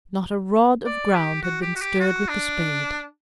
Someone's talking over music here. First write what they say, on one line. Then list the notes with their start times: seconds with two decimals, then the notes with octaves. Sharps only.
Not a rod of ground had been stirred with the spade.
0.86 D5
1.15 G4
1.43 F#4
1.62 G4
1.76 F#4
1.81 G4
2.00 F#4
2.28 D4